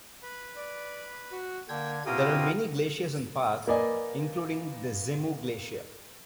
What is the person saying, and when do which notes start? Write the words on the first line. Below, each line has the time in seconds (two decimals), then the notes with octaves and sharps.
There are many glaciers in the park including the Zemu glacier.
0.23 B4 B5
0.56 D5
1.32 F#4
1.69 D3 A#3 G5 G#6
2.06 B2 C4 E4 F4 G4 A#4 D#6
3.67 A#3 B4 D5 D#5 G#5